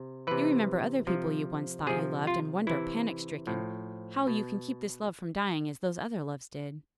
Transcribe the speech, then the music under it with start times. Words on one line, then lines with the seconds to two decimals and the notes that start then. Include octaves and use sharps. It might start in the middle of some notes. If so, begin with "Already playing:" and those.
You remember other people you once thought you loved, and wonder, panic-stricken, how you can keep this love from dying as those other loves did.
Already playing: C3
0.27 C3 E3 B4
1.07 C3 F3
1.87 C3 F3 G#4
2.27 F4
2.67 C3 E3 E4
3.47 A2 F3
4.27 B2